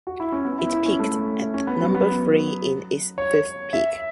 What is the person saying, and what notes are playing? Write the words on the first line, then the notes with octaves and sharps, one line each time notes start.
It peaked at number three in its fifth peak.
F#4
E4
C#4
B3
E4
E4
C#4
A3
C#4
B3
F#3
B3
C#5
E5